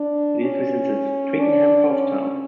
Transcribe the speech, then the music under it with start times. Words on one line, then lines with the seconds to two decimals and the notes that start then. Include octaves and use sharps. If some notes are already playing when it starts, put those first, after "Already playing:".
It is within the Twickenham post town.
Already playing: D4
0.41 C#4
1.39 D4
1.89 C#4